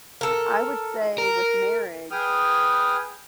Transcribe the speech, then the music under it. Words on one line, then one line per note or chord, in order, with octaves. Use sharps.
I would say with marriage,
A4 A#4
A#4
G#4 B4 G5 D#6 F6